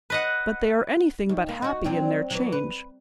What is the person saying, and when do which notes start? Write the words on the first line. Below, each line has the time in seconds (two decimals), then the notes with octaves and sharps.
But they are anything but happy in their change.
0.10 B4 D#5 F#5
1.29 D#2
1.49 A#3
1.62 D#4 F#4
1.84 F#3 C4 D4
2.31 E3 F#3
2.52 B4